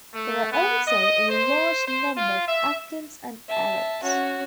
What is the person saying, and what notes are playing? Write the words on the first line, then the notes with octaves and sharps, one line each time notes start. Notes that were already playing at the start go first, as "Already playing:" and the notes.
There are also a large number of Afghans and Arabs.
A3
B3
D#5
C5
C5
F4
E5
E5 A5
C#4 F#4